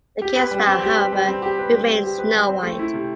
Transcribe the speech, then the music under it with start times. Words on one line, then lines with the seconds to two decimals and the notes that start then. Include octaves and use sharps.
The case style, however, remained Snow White.
0.22 G4
0.36 B4
0.51 G3
0.66 C4
0.82 G4
0.97 B4
1.13 G3
1.27 C4
1.42 G4
1.58 B4
1.72 G3
1.88 C4
2.03 G4
2.19 B4
2.33 G3
2.49 C4
2.63 A3
2.79 E4
2.94 C3